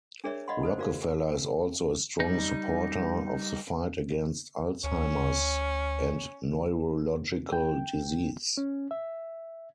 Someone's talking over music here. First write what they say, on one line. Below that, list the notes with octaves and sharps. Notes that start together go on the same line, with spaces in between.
Rockefeller is also a strong supporter of the fight against Alzheimer's and neurological disease.
D4 G#4 A#4 C#5 D5 E5
D5 D#5 F5 F#5 B5 C6
A4 B4 C5
F#4 A#4 D5 F5
G3 D#4
D2 C#4
G5
C#4
E5